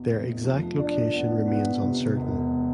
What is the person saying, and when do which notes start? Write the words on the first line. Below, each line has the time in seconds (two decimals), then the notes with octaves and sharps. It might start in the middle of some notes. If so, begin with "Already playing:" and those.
Their exact location remains uncertain.
Already playing: E2 B2
0.10 F1
0.44 F3
0.78 D4
1.13 B3
1.47 B3
1.82 C3
2.17 E1